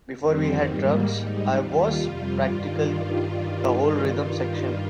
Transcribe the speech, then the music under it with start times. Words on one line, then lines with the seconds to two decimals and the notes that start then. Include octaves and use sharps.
Before we had drums, I was practically the whole rhythm section.
0.19 F2 D#3 G3 C4
0.63 G#2 D#3 G3 A#3
1.07 G#2 G3 D#4
1.51 D#2 D#3 G3 F4
1.96 F2 C3 G3
2.40 G2 D#3 G3